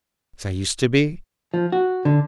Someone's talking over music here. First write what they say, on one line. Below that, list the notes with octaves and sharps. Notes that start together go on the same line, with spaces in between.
"As I used to be?"
F3
F#4
D3